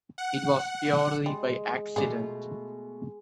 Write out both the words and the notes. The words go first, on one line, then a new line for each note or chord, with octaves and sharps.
It was purely by accident.
F#5
G3 G#3
B2 A3 F4 G#4 D5